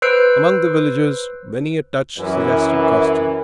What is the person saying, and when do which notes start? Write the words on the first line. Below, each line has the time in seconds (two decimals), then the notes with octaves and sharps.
Among the villagers many a touch suggested costume.
0.02 B4 C5 E6 C7 D7
2.18 F#2 E3